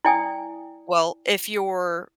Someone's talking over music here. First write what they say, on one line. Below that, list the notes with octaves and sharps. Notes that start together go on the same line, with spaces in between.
Well, if you're
E4 D5 G5 G#5 D#6